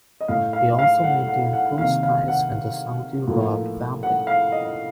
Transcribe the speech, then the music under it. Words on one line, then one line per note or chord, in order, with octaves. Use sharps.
He also maintained close ties with the Saudi royal family.
D#5
A2 A3 F5
F5
F5
F#5
F#5
F#5
C3 D#3 A#3 F5
F5
F#5
A2 F3 A#3
F#5
F5
D#5